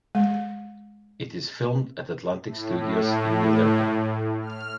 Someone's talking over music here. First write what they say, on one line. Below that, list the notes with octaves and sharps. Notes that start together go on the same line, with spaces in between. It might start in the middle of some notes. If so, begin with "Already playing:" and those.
It is filmed at Atlantic Studios in Milnerton.
G#3
A2
F6